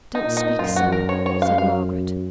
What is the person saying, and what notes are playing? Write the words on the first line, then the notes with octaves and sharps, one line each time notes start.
'Don't speak so!' said Margaret.
D#4
A#2
D#4
F#2 F4
F#4
A#4
C#5
C#5
F5
F5